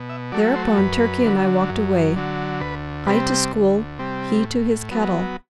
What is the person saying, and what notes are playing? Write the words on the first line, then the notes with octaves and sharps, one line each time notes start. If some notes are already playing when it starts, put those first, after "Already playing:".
Thereupon Turkey and I walked away, I to school, he to his cattle.
Already playing: B2
E5
F#3 A3 D5
C5
F#2 B4
D3 F#3
F#2
D3 F#3
D2 B4
C3 G3 C4 B4
D2
C3 G3 C4
A2
F#3 B3